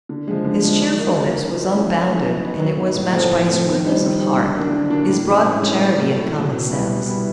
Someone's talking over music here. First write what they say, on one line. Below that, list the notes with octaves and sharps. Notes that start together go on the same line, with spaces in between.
His cheerfulness was unbounded, and it was matched by his goodness of heart, his broad charity, and common sense.
D3
F3 G#3
D3
F3 G#3
F#3
A#3 D#4
F#3
A#3 D#4
F3
A3 C#4 E4
F3
A3 C#4 E4
F#3
B3 D#4
F#3
B3 D#4
A2
F3 A3 C4
A2
F3 A3 C4
D#3
G3 C4 D#4
D#3
G3 C4 D#4
D3
F#3 A#3 D4
D3
F#3 A#3 D4
A2
E3 G#3 C#4 E4
A2
E3 G#3 C#4 E4
A2
F#3 A3
A2
F#3 A3
B2
G3 B3 E4
B2
G3 B3 E4